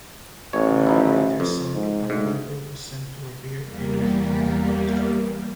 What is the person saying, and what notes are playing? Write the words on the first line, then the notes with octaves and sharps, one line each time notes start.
"Barry" later sank, and "Roper" was sent to a rear area for repairs.
A1 C#5
F3 D#4 E4
F2
G#2
D2 G#2
E2 G3 A#3